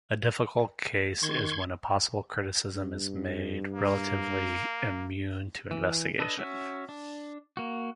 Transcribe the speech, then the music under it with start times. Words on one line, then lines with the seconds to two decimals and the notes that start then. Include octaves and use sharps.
A difficult case is when a possible criticism is made relatively immune to investigation.
1.23 D#3 C6 C#6 G#6
2.75 G2
3.74 A#3
5.71 E3
6.19 D4 A4 B4 D#5
6.37 C#4 F#4 E5
6.89 D4
7.57 A#3 F#4